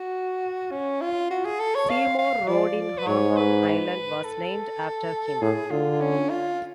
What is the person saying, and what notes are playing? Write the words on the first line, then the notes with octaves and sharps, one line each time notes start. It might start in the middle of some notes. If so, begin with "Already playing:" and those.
Seymour Road in Hong Kong Island was named after him.
Already playing: F#4
C#4
F4
F#4
G#4
A4
C#5
F5
F5
F3 D5
B4
G#2 C#5
B4
A4
A2 G#4
D3 F4
C#4
F4